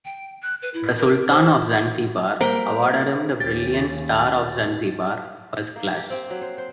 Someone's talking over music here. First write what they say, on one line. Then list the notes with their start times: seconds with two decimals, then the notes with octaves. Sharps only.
The Sultan of Zanzibar awarded him the Brilliant Star of Zanzibar, First Class.
0.05 G5
0.42 F#6
0.62 B4
0.74 E4
0.98 A#4
1.29 C5
2.41 G3 A#3 A#4 C5 G5
3.40 D#2 C#4 G4 A6
5.76 A#3
5.97 G4
6.10 C4
6.30 F#3
6.42 C5
6.58 C5